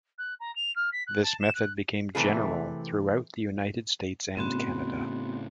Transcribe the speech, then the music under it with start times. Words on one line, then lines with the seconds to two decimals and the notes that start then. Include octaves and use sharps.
This method became general throughout the United States and Canada.
0.18 F#6
0.40 A#5
0.55 F7
0.75 F6
0.92 B6
1.07 F#6
1.23 A5
1.40 E7
1.55 F#6
2.15 C3 E3 A3 E4 G#4
4.37 A2 C#3 B3 C4 F#4